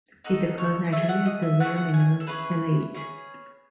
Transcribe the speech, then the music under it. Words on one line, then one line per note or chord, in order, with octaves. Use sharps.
It occurs naturally as the rare mineral sellaite.
D#4 F#4 A4 D#5
C#5
A3 D#4 G#4 E5
F#5
D#5
E5
A3 C#4 G#4 F#5
F#5
G#5
A4
C#4 E4 G#4 B4
C#4 G#4